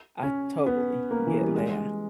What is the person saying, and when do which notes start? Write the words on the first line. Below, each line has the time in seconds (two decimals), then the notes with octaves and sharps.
I totally get that.
0.23 C#4
0.66 B3
1.11 A#3
1.27 E3
1.41 G3
1.55 G#3